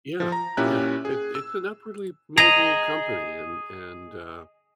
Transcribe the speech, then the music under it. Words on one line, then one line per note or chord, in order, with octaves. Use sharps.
Yeah, yeah, it it's an upwardly mobile company, and and, uh,
F3
A#5
A#2 C#4 E4 G4 F#6
G#4
E6
G#4 D#5 A#5